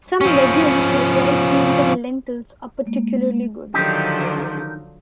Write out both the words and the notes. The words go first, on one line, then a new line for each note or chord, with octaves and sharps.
Some legumes, like white beans and lentils are particularly good.
F3 C#4
G#3 A#3
D3 D#3 F3 F#3 D#4 G4